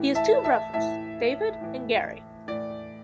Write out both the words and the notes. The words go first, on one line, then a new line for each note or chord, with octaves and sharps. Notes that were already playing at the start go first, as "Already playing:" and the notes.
He has two brothers, David and Gary.
Already playing: A2 E3
E5 A5
E5 A5
A2 E3 E5 A5
A2 E3
A2 E3 D5